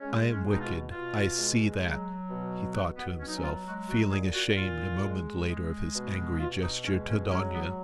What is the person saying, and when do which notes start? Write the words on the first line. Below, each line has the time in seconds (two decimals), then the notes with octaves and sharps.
"I am wicked, I see that," he thought to himself, feeling ashamed a moment later of his angry gesture to Dounia.
0.01 G#3 C#4
0.31 C#4
0.46 B2
0.51 D#4
0.61 F4
0.92 B2 F4
1.37 G#3
1.83 F#3
2.29 B2
2.74 B2 F#4
2.97 B3
3.20 F#3 C#4
3.27 D#4
3.35 C#4
3.43 F4
3.66 G#3 F#4
3.89 F#4
4.11 A#2 G#4
4.35 F#4
4.57 A#2 F4
5.03 G#3
5.49 G#3
5.94 B2
6.40 B2 F4
6.63 D#4
6.86 G#3 C#4
7.09 C#4
7.32 F#3 C#4
7.54 B3